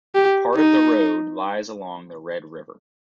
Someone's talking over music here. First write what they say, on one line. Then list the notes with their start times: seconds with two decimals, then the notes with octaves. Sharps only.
Part of the road lies along the Red River.
0.15 G4
0.55 D#4